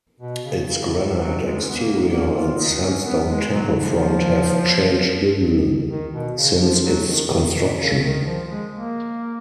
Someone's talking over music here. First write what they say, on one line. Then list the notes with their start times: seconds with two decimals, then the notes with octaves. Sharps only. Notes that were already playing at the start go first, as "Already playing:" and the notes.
Its granite exterior and sandstone temple front have changed little since its construction.
0.20 B2
0.44 C#3
0.68 C#3
1.15 F#3
1.46 G#3
1.62 C#4
1.69 B3
1.77 A#3
2.10 A#3
2.33 F4
2.57 D#4
2.81 C#4
3.04 B3
3.28 G#3
3.52 F#3
3.75 F3
5.89 D#3
6.12 B2
6.36 C#3
6.60 F3
6.83 F#3
7.07 D#3
7.31 D#3
7.54 B2
7.79 C#3
8.01 D#3
8.25 F3
8.49 G#3
8.73 A#3